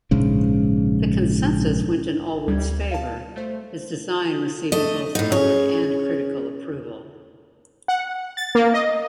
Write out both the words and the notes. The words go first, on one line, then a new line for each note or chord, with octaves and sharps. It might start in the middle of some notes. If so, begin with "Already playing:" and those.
The consensus went in Allward's favour, his design receiving both public and critical approval.
A#1 G#2 C#3
D2 G3 G#6
F5 A5
A3 C5
A3 D#5
A2 D#4
C#4 G#4 C#5
F#5
A6
A#3
D#5